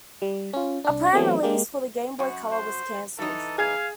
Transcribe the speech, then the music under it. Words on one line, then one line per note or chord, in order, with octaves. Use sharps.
A planned release for the Game Boy Color was cancelled.
G3
C#4 F4
C2 D4
E3 F#3 A3 B3 C4
G#3 A#3 G4
F#2 F#4
C5
E3 D#4 A4
G#4 F5 G#6